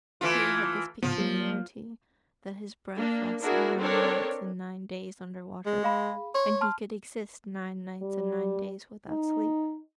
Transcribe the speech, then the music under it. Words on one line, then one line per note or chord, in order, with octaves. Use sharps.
Kay had this peculiarity, that his breath lasted nine nights and nine days under water, and he could exist nine nights and nine days without sleep.
E3 A3 F4
A2 C#3 F3 B3
F#3 A#3
A#3 D4
D4 E4 F#4 G#4 A#4
C4 D4 A4 A#4 C#5
G#3
G#4 F5 B5
C#5 C6
A5 C6 F6
G3
D#4